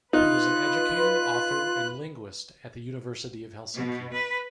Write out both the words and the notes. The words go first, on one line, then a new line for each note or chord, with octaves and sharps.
He was an educator, author and linguist at the University of Helsinki.
D#4 F4 B4 F#6
B2
B4